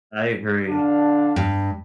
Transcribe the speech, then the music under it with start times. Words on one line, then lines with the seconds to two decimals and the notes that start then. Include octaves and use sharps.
I agree.
0.69 D3 D4 F5
1.36 G2